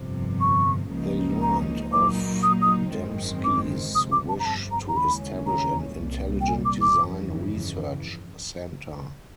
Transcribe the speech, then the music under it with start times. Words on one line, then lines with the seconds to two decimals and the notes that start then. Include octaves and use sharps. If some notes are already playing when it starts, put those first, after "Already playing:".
They learned of Dembski's wish to establish an intelligent design research center.
Already playing: G1 F2 C3 F3
0.41 C#6
0.91 C#2 C#3 F3 A#3 D#4
1.42 A#5
1.92 A#2 F#3 A#3 D#4 D6
2.43 D#6
2.62 D#6
2.94 G#1 F#2 D#3 G#3 C4
3.44 D6
3.95 G1 F2 C3 D#6
4.12 D6
4.28 A5
4.39 A#5
4.45 A5
4.71 A#5
4.88 A#5
4.96 D#2 C#3 E3 G#3 C#4 B5
5.46 A#5
5.97 C2 A#2 G3
6.41 G5
6.48 G#5
6.65 D6
6.81 D6
6.99 G1 F2 C#3 E3